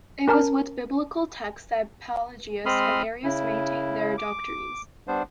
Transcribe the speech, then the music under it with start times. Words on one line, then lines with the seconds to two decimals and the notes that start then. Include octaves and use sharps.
It was with biblical texts that Pelagius and Arius maintained their doctrines.
0.28 C#4 A#4 A5 A#5 F6
2.66 G#3 C4 B5 C6 D#6 F6
3.24 C#3 E4
4.18 D6
5.08 G3 B3 D4 C5